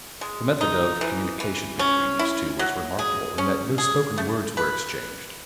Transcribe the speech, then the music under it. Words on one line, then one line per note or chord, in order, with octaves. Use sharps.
The method of communication between these two was remarkable in that no spoken words were exchanged.
G#3
D#4
E3
E3
C#4
E4
F#3
G#4
C#4
G#4
A3
B4